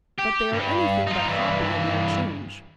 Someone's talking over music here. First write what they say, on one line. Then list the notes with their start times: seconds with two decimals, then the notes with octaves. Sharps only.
But they are anything but happy in their change.
0.18 G4
0.53 G2
1.07 D#4 F4
1.28 G2 E3